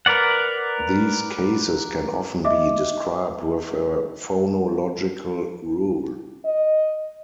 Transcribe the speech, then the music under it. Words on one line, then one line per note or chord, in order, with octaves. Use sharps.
These cases can often be described with a phonological rule.
A#4 B4 D5 F#5
D#5 E5 D6
D#5